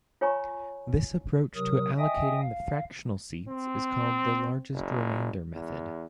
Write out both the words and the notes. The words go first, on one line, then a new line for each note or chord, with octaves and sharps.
This approach to allocating the fractional seats is called the largest remainder method.
F4 C#5 G#5 A#5 C#6
C3 F#3 A#4 D#6
D#5 E5 G5 G#5 D#6
F5
C4
F#1
E2